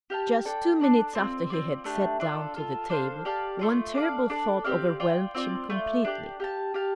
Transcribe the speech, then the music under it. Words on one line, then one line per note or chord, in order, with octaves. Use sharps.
Just two minutes after he had sat down to the table one terrible thought overwhelmed him completely.
G4 F5 A5
D4 A4 D5 G5
D4 A4 D5 A5
C4 F4 D5
C4 F4 D5
A3 D4 G4
D4 F4 A4 D5
F4 A4 F5
D4 A4 C5 F5
G4 D5 F5 A5
A3 F4 D5
D4 A4 D5 F5
D4 A4 D5
C4 G4 D5 F5
F4 D5 G5
C4 F4 D5
A3 F4 D5
D4 G4 D5
G4 F5 A5
G4 F5 A5